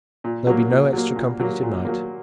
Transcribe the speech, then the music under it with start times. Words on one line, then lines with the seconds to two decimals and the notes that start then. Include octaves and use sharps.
There'll be no extra company to-night.
0.24 A#2
0.47 F#3 A#3
0.70 A#2
0.93 F#3 A#3
1.16 A#2
1.40 F#3 A#3
1.63 A#2
1.85 F#3 A#3